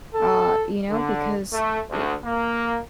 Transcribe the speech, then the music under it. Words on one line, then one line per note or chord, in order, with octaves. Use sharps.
uh, you know, because eh
A4
D3
A3
D2
A#3